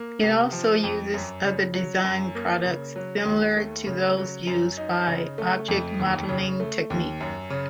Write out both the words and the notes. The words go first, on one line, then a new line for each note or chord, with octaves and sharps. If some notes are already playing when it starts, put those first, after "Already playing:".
It also uses other design products similar to those used by Object-modeling technique.
Already playing: A#3
C3
F3
F2
F#2
C#3
F#3
F#2
A#3
C#3
F#3
D#2
A3
C#3
F#3
F#2
D#4
C#3
A3
F2
D#2
C#3
A3
D#2
F#2
C#3